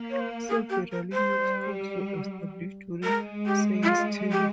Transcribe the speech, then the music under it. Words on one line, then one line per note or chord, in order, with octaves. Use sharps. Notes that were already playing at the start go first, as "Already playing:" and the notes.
Several new schools were established during Seay's term.
Already playing: A#3
C#5
C5
G#4
G4
A#4
C5
G3
G#3 A#4
G4
E4
F4
G4